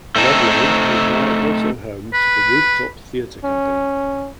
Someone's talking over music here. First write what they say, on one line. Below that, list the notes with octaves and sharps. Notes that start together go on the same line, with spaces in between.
Ludlow is now also home to the Rooftop Theatre Company.
A3 C4 D#4 A4
B4
C#4